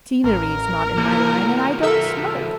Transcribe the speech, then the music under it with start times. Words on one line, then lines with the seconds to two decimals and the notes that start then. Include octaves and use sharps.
Scenery is not in my line, and I don't smoke.
0.24 A1 A#4
0.97 E3 G3 A#3 E4
1.83 A4 A#4 E5 E6